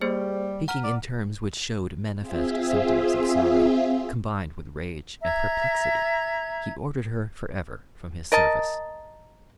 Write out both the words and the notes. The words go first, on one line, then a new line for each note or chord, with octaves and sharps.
Speaking in terms which shewed manifest symptoms of sorrow, combined with rage and perplexity, he ordered her for ever from his service.
G3 A#3 G#4 C5
F#5 A#5 F6
D5
C4 F4 G#4 E5
E5 A#5 G#6
A#4 D#5 A5